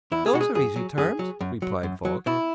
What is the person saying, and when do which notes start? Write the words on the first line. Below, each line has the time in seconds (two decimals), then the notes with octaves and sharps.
"Those are easy terms," replied Falk.
0.12 E2 E4
0.26 G#4
0.33 B2 G#3 F#4
0.41 G#4
0.55 F#2 G#4
0.76 F#3
0.98 F#2 G#4
1.19 F#3
1.41 F#2
1.62 F#3
1.83 F#2
2.05 F#3
2.26 B2 E4